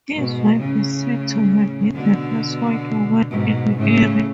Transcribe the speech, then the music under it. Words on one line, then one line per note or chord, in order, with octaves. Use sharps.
His wife is said to have been the first white woman in the area.
G#2 B2
A2 C#3
B2 D3
G#2 B2
A2 C#3